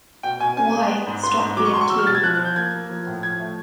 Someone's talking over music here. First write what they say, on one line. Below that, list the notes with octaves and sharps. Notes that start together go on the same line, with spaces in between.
Why, I stop here too.
B2 G5
B2 G#5
C#4 G#5
G#3
B3
G#2
B3 C6
G#2
F#3 D6
C#6
E2 C6
C#6
F#3 E6
F6
B2 A6
G#6
F3 F#6
F#6
F3
G6
A#3 G#6
A#3
F3
A2
F3 G#6
A3